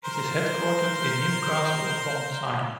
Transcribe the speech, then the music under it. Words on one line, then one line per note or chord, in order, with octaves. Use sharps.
It is headquartered in Newcastle upon Tyne.
A#4 C5 C6